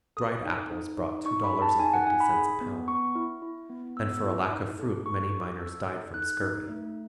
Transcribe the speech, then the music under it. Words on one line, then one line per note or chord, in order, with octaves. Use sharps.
Dried apples brought two dollars and fifty cents a pound; and for lack of fruit many miners died from scurvy.
A4 D#6
D#4
D#4
D#4
D#4 C#6
B5
G#4
A5
D#4 G#5
F#5
D#4 G#5
B5
G#4
B3
B3 C#6
E4
E4
B3
B3 E6
E4
D#4
A4
D#4 C#6
A4
A4 E6
D#4
D#4 F#6
D#4
A3